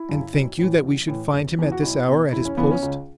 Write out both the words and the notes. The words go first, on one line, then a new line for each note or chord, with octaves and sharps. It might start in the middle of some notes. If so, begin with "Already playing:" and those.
"And think you that we should find him at this hour at his post?"
Already playing: E4
F#2 C#3
B1
A2 E3
A1
A2 E3
F#1
E2 E3
F#4
B1 E4
B2
E1 E4
C#4
E2 C#3 E3 B3
C#4
C#2